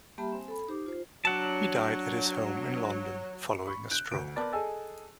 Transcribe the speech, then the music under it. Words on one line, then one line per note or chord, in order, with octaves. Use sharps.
He died at his home in London following a stroke.
G3 A#3 G4 E5 A5 B5
C4 C5 G#5
A4 B5
D#4 G4 C5 D6
F4 C5
F#3 D4 F#5 A5
B5 C#6
F#6 G6 D7
D2 D7
B3 A#4 B4 D5 A5
G#4 A4 D#5 G#5 A5 E6